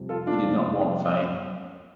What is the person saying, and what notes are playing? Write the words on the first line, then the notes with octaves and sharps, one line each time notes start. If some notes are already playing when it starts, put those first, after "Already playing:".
He did not want fame.
Already playing: F2 C3 G3
F4 A4
D4 F4
F2 C3 G3